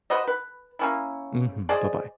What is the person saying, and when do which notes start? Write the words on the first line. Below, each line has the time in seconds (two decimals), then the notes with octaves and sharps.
Mhm, buh-bye.
0.10 F#4 B4 C5 D#5
0.28 B4
0.79 A#3 C#4 E4
1.69 G#4 C5 D5 D#5